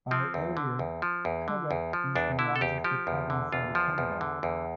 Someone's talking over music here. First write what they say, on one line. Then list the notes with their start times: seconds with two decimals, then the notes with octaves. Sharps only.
By area, Quebec is the largest province of Canada.
0.11 F3 C4
0.34 E2
0.57 D3
0.79 E2
1.02 F3
1.25 E2
1.48 D3
1.71 E2
1.93 F3
2.16 E2 D4
2.39 D3 E4
2.56 A4
2.61 E2 G4
2.84 F3 G4
3.07 E2
3.30 D3
3.52 E2 F4
3.75 F3
3.98 E2
4.21 D3
4.43 E2